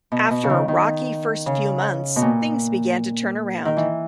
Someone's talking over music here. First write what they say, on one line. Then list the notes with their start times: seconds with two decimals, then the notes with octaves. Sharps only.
After a rocky first few months, things began to turn around.
0.12 B2
0.31 B2
0.44 C#3
0.50 D#3
0.68 D#3
1.46 C#3
2.16 B2
2.22 A#2
3.65 D#3
3.77 E3